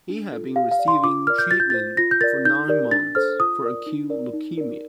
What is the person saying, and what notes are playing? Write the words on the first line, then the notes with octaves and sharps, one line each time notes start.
He had been receiving treatment for nine months for acute leukaemia.
D4
F4 A4
G4 F5
F5
D5
C6
F4 D6
A#4 D5 F6
G6
F4 A6
G6
A6
C5
F4 A#6
G6
A#4 D5 A6
D#4 G6
G4 A#4 D5
D4 A6
A4 C5 F6
F4 D#6
A#4 D5
D#4
A#4 D5
D#4
A#4 D5